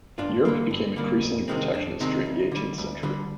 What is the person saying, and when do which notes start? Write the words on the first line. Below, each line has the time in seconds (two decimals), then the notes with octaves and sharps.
Europe became increasingly protectionist during the eighteenth century.
0.18 G2 D4 F4
0.45 D3 G3 A#3
0.71 G2
0.96 D3 G3 A#3
1.22 F2
1.48 C3 D#3 G#3 C4
1.74 F2 D4
2.00 C3 D#3 G#3 C4 D#4
2.26 D2
2.51 D3 G3
2.78 D2
3.03 D3 G3